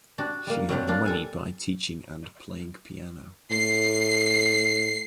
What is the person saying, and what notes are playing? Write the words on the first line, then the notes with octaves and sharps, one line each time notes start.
She earned money by teaching and playing piano.
D4 F#4 G4
G3 A#3
F#3 G3 A#3 C4 D4 G4
F3 A#3 D4 F4
G3 A4 G#5
A2 C7